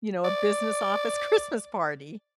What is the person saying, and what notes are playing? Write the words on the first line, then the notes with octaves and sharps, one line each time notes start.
You know, a business office Christmas party.
D5